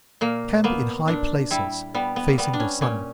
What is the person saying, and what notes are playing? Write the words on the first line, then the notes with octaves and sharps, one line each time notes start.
Camp in high places, facing the sun.
A#2 A#3
A#3 B3
A#2 D4
G3 E4
G3 B3
B3
A#3
G3 B3
D4
C#4
A#2 C#4